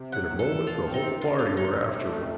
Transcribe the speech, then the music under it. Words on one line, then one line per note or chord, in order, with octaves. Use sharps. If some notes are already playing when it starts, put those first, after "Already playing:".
In a moment the whole party were after him.
Already playing: C3
F#3 F#5
A2
A4
A2
F3 F4
C4
D#4
C3
C#3 F4
A3 F4
D#2 D#4
C3
A3
F2